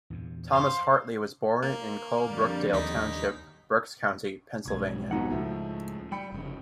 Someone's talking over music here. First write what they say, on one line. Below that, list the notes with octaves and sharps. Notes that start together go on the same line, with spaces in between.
Thomas Hartley was born in Colebrookdale Township, Berks County, Pennsylvania.
E2 G2 A#2
C5 F5
A#3
F2 D3 G3
D#2 D#4 B6
B1 F2 G#2 G#6
D#2 B2 D#4 F#5
C#2 A2 F3 A3
G3 G5 B5 C#7
F1 G2 C#3